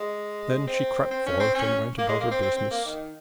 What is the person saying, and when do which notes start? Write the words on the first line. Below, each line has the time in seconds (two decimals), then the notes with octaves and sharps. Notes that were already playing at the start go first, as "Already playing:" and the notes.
Then she crept forth, and went about her business.
Already playing: G#3
0.67 C4
1.11 C4
1.26 C#4
1.40 C4
1.55 C#4
1.98 A#3
2.09 G#3
2.20 A#3
2.31 C4
2.43 C4
2.56 C4
2.71 A#3
2.85 D#3